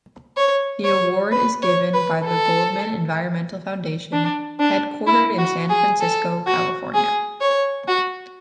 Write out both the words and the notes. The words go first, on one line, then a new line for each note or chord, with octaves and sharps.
The award is given by the Goldman Environmental Foundation headquartered in San Francisco, California.
C#5
C#5
B4
C#5
B4
A4
D4
D4
E4
F#4
G#4
A4
F#4
G#4
C#5
F#4